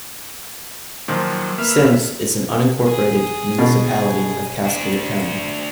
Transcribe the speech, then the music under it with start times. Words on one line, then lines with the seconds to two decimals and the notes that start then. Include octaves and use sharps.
Simms is an unincorporated municipality of Cascade County.
1.08 A#2 D#3 F3 F#3
1.58 A#3 B4 E5 F5
2.87 G#4
3.59 B2
4.64 D4 F#4